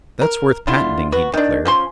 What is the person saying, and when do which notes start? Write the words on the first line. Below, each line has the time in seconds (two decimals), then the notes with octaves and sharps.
"That's worth patenting," he declared.
0.22 A#4
0.67 D3 E4 F4
1.12 B3 F#4
1.34 D#3 D4
1.65 F3 C#4 C6